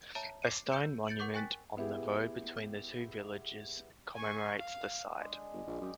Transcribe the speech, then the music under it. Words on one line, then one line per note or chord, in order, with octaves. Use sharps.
A stone monument on the road between the two villages commemorates the site.
C#5 E5 A5 A#5
D6 C7 C#7 D#7
E6 G6 C#7 D7 E7
G6 A6 C#7 D7 F#7
A#4 F#5 C#6 D6 G6
G5 G#5 C#6 F#6 A6 B6
B3 E4 G4 G#4
G#5 C#6
F5
G#3 D4
G1
A#1
F#2 D5 D#5 G5